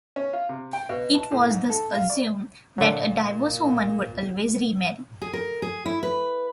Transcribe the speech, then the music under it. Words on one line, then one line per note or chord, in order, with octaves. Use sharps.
It was thus assumed that a divorced woman would always remarry.
C#4
F4
C3
G5
B2
A5
A2
G#2
A4
F4
D5
A#2 D3 F#3
G#4
A#4
G#4
E4
B4